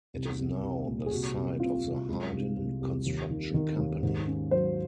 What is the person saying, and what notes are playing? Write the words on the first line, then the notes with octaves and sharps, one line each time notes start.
It is now the site of the Hardin Construction Company.
C2
C2
C2
A#2
G#4
C2 F#4
C2
C3 F4
C2
G#3
C2
C2
C2
D#2
D#3
D#3
D#2
G#2
C#4
F#3 C5